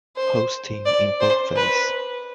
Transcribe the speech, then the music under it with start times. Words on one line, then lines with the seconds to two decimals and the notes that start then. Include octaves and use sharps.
Host team in boldface.
0.16 C5
0.86 D5
1.21 C5
1.56 B4